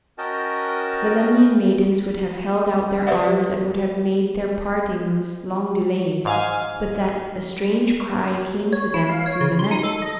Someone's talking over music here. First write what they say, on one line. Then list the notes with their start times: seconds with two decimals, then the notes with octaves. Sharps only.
The Lemnian maidens would have held out their arms and would have made their partings long delayed, but that a strange cry came to them through the night.
0.18 C#4 F#4 A#4 D#5 G5 A5
3.07 G4 B4 C5 D5 E5 F#5
6.25 G#2 F5 G#5
8.73 C#5
8.94 E4
9.09 F5
9.26 C#5
9.41 C#3
9.59 C6
9.71 D#4
9.83 A4
10.02 D#5